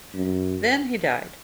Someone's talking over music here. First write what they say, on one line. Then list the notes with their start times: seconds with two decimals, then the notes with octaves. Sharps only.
Then he died.
0.15 F#2